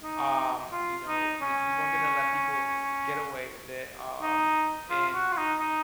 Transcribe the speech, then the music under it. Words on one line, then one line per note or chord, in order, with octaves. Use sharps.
um, you know, I mean, we weren't gonna let people get away with it. Um, and
D#4
F4
D#4
C#4
D#4
F4
F#4
F4
D#4
D#4